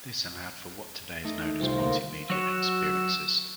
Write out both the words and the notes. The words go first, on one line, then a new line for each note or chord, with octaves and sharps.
This allowed for what today is known as multimedia experiences.
A3 D#4
C2 C3 F4 C5
D2 A#3 F4 C6 A#6
F#3 F#4 C#5 E6